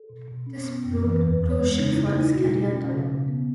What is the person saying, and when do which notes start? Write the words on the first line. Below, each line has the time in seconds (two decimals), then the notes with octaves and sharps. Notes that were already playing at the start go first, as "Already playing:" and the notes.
This proved crucial for his career development.
Already playing: A4
0.09 B2
0.28 B2
0.46 C#4
0.66 B3
0.84 F#2
1.03 E3
1.21 E2 B4
1.40 E2
1.50 C#5
1.59 G#3
1.78 C#3 D#4
1.92 C#3 E4
2.06 D#4
2.16 A3 E4
2.34 B2 F#4
2.53 B2
2.72 C#4
2.91 C#3
3.09 C#3
3.28 B3